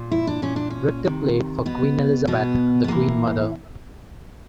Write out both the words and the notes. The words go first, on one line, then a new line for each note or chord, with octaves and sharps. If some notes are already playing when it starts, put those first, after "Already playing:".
Richter played for Queen Elizabeth The Queen Mother.
Already playing: A#2
E4
D4
A#2 C#4
D4
C#4
C3 D#3
B2 B3
B2 B3
B3
A2 E3 A#3